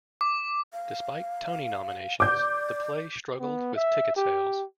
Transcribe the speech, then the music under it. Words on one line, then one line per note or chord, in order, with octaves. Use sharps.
Despite Tony nominations, the play struggled with ticket sales.
D6
F5
D5 D6 G6
B3
E5
G4